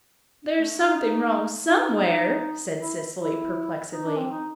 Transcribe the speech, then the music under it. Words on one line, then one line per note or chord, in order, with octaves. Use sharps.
"There's something wrong somewhere," said Cecily perplexedly.
A3
D#4
D#4
D#4
D#4
D#4
E4
E4
D#4
D4
C4
D#4